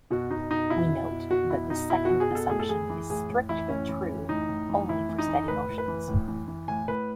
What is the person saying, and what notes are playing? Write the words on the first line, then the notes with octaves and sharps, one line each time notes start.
We note that this second assumption is strictly true only for steady motions.
B2 F#4
B2 D#4
B2 D#4
B2 E4
B2
B2
B2 F#4
B2 E4
B2 D#4
B2 E4
B2 F#4
G#4
B2 A4
A2 G#4
A4
E3 G#4
E3
A2 G#4
A2
E3 E4
A2 C#4
E3
E3
A2 D#4
A2
E3
A2 E4
E3
D#4
E3
A2 B4
A2
B4
E3
A2
E3
E3
A2 G#5
A2 B4